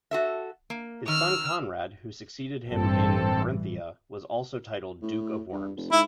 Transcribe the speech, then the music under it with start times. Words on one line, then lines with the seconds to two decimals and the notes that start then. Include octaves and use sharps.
His son, Conrad, who succeeded him in Carinthia, was also titled "duke of Worms".
0.11 F#4 A4 E5
0.70 A#3
1.08 D#3 E6 F6
2.69 A1 G2 E3 C4 A4
5.02 A2
5.53 G2
5.77 F1
5.92 G#2 E4